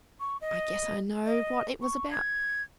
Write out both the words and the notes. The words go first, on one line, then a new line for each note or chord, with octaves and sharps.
'I guess I know what it was about.'
C#6
D#5
D#5
C#6
G#6